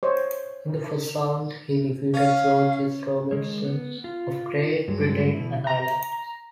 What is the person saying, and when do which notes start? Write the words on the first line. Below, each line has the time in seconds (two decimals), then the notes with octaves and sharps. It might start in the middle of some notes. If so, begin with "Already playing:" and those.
In the first round, he defeated George S. Robertson of Great Britain and Ireland.
0.03 C5 C#5 D#5
2.14 C#4 F5
3.31 D#3 G#3 C#5
3.64 B3
4.04 F4
4.88 G2 F#3 G#3
5.34 B2 E3 E4
5.67 A#5